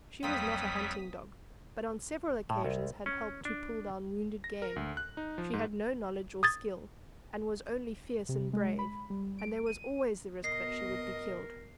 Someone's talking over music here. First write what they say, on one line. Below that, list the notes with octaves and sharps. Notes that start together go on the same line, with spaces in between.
She was not a hunting dog, but on several occasions had helped to pull down wounded game; she had no knowledge or skill, and was only fierce and brave, and there was always the risk that she would be killed.
F2 F#3 G3 A#3 C4 D#6 B6
A2
C2
C#4
D4
A#6
A#4
D2
F#6
D#4
F3
G#2
D#6 G#6 A6
C3
G#3
B5
G3
D7
D#7
B2 A#4 D#5 C7